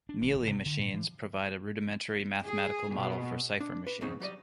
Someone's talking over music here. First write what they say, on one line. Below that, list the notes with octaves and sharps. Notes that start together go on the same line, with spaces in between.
Mealy machines provide a rudimentary mathematical model for cipher machines.
D4
A1
E1
B2
D3
A2
E3
G#4
B2
D4
B4
D#2 G#2 C#3 C4 D#4
F#3 G3 D5 D#5